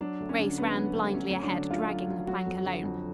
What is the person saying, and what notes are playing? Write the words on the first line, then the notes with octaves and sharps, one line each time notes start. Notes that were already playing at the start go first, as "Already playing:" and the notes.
Grace ran blindly ahead, dragging the plank alone.
F#3 D4
D2
C#4
D3
D2 B3
F#3
D2
F#3 C#4
D2 C#4
D4
D3
D2 F4
F#3
D2
F#3 F#4
F2
D3
F2